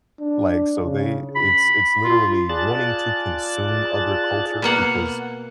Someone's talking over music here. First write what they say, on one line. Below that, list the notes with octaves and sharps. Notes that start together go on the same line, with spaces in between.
like, so they it's it's literally wanting to consume other culture because,
D4
C#3
B5
F4
F4 G#4 D5 A5 F#6 A6
B2 A#3 F#5